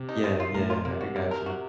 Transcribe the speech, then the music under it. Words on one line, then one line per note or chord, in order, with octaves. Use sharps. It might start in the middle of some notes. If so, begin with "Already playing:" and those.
Yeah, yeah, I I gotcha.
Already playing: C3
D#4
D#3
F4
A2 A#4
F4
C3 A#3
F#4
A#3
A#4
F#4